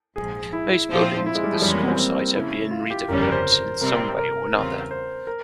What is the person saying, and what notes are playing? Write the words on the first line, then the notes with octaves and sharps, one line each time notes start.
Most buildings on the school site are being redeveloped in some way or another.
A#1 G#2 F3 G#4
E4
A#2 F3 C4 F4 C5
E4
G#3
G3
F3
F2 E3 G3 G#3 C#4
A#3
C4
C4
C#3 F3 A#3 E4
F4
G4
G1 F2 C#3 G3 C#4 A#4
A#4
C5
C3 G3 C4 A#4
A#4
E2 C#3 G3 C4 F4
C5
A#4